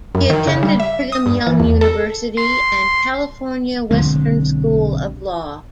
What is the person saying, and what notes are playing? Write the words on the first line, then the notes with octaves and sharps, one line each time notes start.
He attended Brigham Young University and California Western School of Law.
F#2
D#3
C#3
G3
E5
D#6
G2
E3
E2
A4
C6
B1 D3 G#3 C4